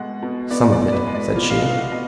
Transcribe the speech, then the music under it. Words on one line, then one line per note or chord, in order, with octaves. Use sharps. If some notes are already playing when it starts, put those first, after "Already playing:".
"Some of it," said she.
Already playing: B2 G#3 F#5
B2
B3 D5
D5
B2
D5
B4
G#3
D5
B2 F4
F5
D#5
B3
F5
F#5
B2 D#5